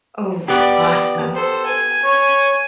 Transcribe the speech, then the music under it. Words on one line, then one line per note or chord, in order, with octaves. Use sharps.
Oh, awesome.
B3 G4 D5
A4 C5
G#5
C#5